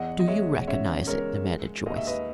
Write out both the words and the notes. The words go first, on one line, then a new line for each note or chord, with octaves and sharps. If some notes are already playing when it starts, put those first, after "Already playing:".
"Do you recognize it?" demanded Joyce.
Already playing: E2 D#5 F#5
D#5
G#3 C#5 E5
C#3 C#5 E5
G#3 A#4 C#5
G#3
D#2 D#5
E5
B4 D#5